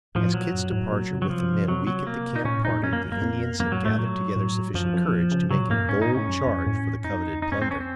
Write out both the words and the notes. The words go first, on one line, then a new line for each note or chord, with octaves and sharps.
As Kit's departure with the men weakened the camp party the Indians had gathered together sufficient courage to make a bold charge for the coveted plunder.
A2 F3
A#2 F#3
F#2
A2
A#2
C#3
F#3
C3 F3
C3 F#3
F#3
A#3
D#4
A#2 C#4
A2
A#2 D#4
F#2 C#4
A#3
A#3
F2
F#2 A#3
A2 F#3
A2 A3
A#2 F#3
A2
F#2 F3
F#2
A#2
C#3
C#3 F#3
A#2
A2 A#3
F#2
A2 C#4
D#4
A2 C#4
F#2
F#2
A2
F2 D#4
D#4
C#4
C4
C#4
C4